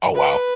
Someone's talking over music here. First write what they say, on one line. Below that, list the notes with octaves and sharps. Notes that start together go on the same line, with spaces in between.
Oh, wow.
B4